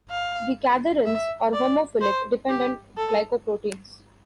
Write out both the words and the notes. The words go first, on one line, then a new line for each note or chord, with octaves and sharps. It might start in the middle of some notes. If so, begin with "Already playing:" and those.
The cadherins are homophilic -dependent glycoproteins.
F5
E5
D5
C5
G4
A4